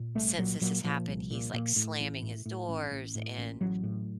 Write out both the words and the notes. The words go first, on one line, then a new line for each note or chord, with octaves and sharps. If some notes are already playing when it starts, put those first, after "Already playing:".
since this has happened, he's, like, slamming his doors and
Already playing: A#2
C2 A3
A#2 F#3
A#2 F#3
A#2 F3
C2
A#2
A#2
A2
A1
A2
A2
A1
A1
A2
A1
A1 F#3
A2